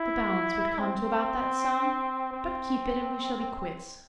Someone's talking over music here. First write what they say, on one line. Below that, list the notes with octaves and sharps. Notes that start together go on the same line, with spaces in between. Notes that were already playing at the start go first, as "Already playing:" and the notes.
"The balance would come to about that sum; but keep it, and we shall be quits."
Already playing: E4
C4
C4